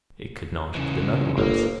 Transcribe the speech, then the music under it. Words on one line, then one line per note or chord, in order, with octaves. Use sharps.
It could not have been otherwise.
C#3 E3
G1 A#3